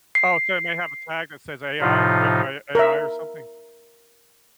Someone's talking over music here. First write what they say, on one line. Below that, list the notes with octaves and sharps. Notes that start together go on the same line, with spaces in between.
Oh, so it may have a tag that says AI written by AI or something.
C7
A2 C3 F3 D#4 F4
A#4 E5